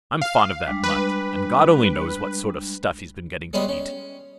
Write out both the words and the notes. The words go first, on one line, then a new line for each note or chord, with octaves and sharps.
I'm fond of that mutt, and God only knows what sort of stuff he's been getting to eat.
F5
G3 G#3 D4
B4
G3 G#3 B3 C#4 G#4
C#4